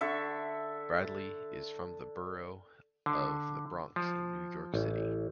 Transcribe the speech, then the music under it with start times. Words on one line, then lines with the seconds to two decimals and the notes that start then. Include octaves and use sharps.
Bradley is from the borough of the Bronx in New York City.
0.01 D3 E5 C#6
3.06 D3
3.96 F3
4.74 A1